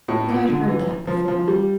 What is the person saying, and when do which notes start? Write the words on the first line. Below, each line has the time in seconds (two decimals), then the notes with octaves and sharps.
But I'd heard that before.
0.08 A2
0.29 A#2
0.49 D3
0.62 D3
0.68 E3
1.07 F3
1.28 F3
1.48 G3